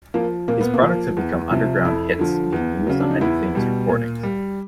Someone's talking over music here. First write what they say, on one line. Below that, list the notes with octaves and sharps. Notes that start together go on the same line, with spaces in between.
His products have become underground hits, being used on many famous recordings.
F3 A#3
A#2 A#3
B3
A#3
F3
E2
C3 F3
F2 E4
D3 F3
E2
C#3 F#3
D4
D#4
E2 E4
B2 G3
A#2
G3